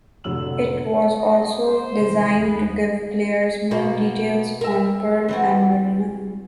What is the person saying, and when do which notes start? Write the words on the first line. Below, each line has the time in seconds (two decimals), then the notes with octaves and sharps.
It was also designed to give players more details on Pearl and Marina.
0.24 F1 A2 D3 F#3 E6 F#7
1.18 A3 B3 D#5
1.60 C5
1.96 C3 D#3 E3
2.40 D#2 D#3 G#3 B3
3.71 B2 A#3 F#4
4.61 A#4 E5
5.28 E3 C4 F#4